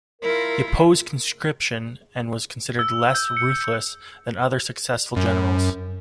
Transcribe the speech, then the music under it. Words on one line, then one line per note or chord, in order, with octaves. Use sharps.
He opposed conscription and was considered less ruthless than other successful generals.
E4 F4 A#4
E6
G6
C#7
F#2